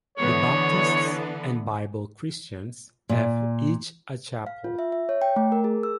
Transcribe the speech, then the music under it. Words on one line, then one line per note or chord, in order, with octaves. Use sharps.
The Baptists and Bible Christians have each a chapel.
D3 E3 B3 C#5
A#2
F5
F4
E5
E5
C#5
G5
A3
A#4
G#4
E6